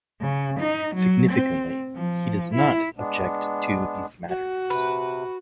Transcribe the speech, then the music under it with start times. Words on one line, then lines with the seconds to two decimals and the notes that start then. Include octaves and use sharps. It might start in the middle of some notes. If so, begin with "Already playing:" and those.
Significantly, he does not object to these matters.
0.21 C#3
0.60 D#4
0.95 F#3
1.31 C4
1.95 F3
2.54 E4
2.98 G#3 B3 D4
4.29 F#4
4.70 C3 B4